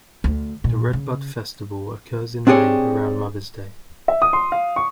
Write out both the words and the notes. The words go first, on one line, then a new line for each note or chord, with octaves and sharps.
The Redbud Festival occurs in May around Mother's Day.
D2
A#2
C#3
C4 D4 G4 G#4 C#5
E5
D#6
C6
F5
C#6